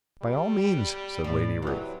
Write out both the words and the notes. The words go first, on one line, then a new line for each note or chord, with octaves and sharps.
"By all means," said Lady Ruth.
G3
A2 D5
C3 E3 F#3